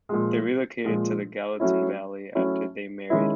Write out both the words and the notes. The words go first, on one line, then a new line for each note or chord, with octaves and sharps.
They relocated to the Gallatin Valley after they married.
A#2 F3 G#3
A#2 F3 G#3
F#3 A3 C#4 E4
F#3 A3 C#4 E4
D#3 G#3 C#4 E4